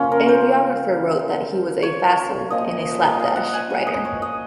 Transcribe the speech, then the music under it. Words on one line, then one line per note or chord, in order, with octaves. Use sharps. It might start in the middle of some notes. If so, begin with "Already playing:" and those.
A biographer wrote that he was a facile and slapdash writer.
Already playing: C#3 F3 A#3 C#4 F4
A#4
C5
C#5
A#2 F3 A#3 D#5
D#5
F5
F#5
G#5
F#5
D#5
C#5
D#5